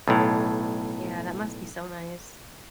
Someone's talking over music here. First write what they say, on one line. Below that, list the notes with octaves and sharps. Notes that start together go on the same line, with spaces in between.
Yeah, that must be so nice.
B1 A2